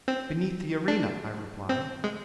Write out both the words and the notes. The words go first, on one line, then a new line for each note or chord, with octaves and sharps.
"Beneath the arena," I replied.
C4
D4
C4
G#3